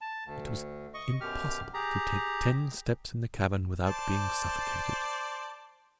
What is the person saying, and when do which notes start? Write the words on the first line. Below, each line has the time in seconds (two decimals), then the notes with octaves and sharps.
It was impossible to take ten steps in the cavern without being suffocated.
0.01 A5
0.26 D2
0.94 D#5 C#6
1.21 F#2 B2 G4 F6
1.74 G4 G#4 A#5
3.86 C5 D5 A5